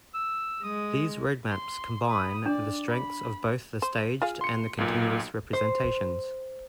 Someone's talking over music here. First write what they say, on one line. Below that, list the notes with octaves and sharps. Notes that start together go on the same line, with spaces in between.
These roadmaps combine the strengths of both the staged and the continuous representations.
E6
G#3 D#6
C6
B5 D#6
D4 D5
B5
C5
F4 G#4 F5
C6 C#7
B1 A#2
C5